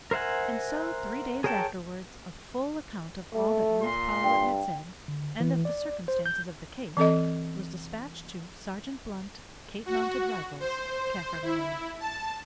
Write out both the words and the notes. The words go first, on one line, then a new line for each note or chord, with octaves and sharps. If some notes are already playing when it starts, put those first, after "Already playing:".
And so three days afterwards a full account of all that Ruth Powlett had said, and of the circumstances of the case, was despatched to "Sergeant Blunt, Cape Mounted Rifles, Kaffirland."
A#4 C5 E5 F#5 G#5
G#4 A#4 C#5 G5 A5
A3
A#2 C6
G2 G5
D3
E3
D5
C5
G6
E3 C4 A4 D#5
F#4
C5
E4
A5